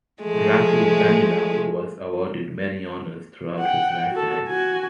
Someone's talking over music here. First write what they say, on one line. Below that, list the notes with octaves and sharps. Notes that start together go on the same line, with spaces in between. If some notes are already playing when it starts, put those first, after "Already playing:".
Ratu Ganilau was awarded many honours throughout his lifetime.
F3 G#3 A3
F#5 G5
F#4 A4
F#4 G#5